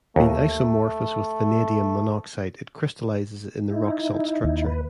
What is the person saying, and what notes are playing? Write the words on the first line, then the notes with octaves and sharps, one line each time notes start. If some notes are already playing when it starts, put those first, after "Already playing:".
Being isomorphous with vanadium monoxide, it crystallizes in the rock salt structure.
D#2 A3
D#4 E4
D#2
B4